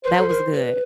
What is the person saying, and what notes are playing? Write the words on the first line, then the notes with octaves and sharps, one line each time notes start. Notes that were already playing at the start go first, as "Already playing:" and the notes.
That was good.
B4 C5
A4
A#4
B4